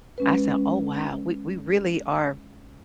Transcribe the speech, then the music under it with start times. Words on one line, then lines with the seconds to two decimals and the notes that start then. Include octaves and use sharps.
I said, "Oh, wow. We we really are"
0.18 G#3 C#4 B4